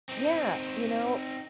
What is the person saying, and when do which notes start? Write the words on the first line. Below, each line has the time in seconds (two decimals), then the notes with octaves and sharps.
Yeah, you know
0.09 C4 D#4